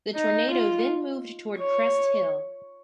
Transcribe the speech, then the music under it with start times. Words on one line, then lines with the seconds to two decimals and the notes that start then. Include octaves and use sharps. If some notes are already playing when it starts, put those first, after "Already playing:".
The tornado then moved towards Crest Hill.
0.15 D#4
0.51 F4
1.59 C#5